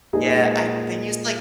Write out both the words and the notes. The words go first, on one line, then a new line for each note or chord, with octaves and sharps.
Yeah, I they use, like
A#2 G#3 D#4 G#4 B4